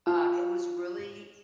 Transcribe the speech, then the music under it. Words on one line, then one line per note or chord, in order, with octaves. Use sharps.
um, it was really f
F4